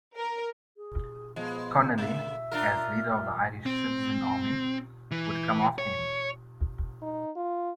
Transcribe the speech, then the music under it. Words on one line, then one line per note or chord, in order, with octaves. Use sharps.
Connolly, as leader of the Irish Citizen Army, would come after him.
A#4
G#4
F3 G#3 B3
C#3 A#3 E5
D4 F4 A#4
C4
E3
C#5
D#4
F4